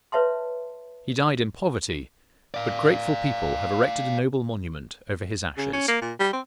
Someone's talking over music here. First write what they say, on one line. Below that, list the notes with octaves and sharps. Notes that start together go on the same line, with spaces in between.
He died in poverty, but grateful people have erected a noble monument over his ashes.
B4 C#5 E5 A5 C6
D5 F5
C#3
C#4
A#3
A#2
G3
C4